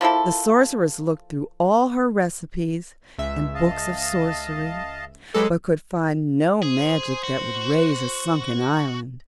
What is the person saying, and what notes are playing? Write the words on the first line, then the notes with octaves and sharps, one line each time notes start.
The Sorceress looked through all her recipes and books of sorcery, but could find no magic that would raise a sunken island.
F3 A#3 E4 A4
C#2 E5
D#5 F5 A5
F#3 G#3 G4 A4 B4
G#4 C5
F#4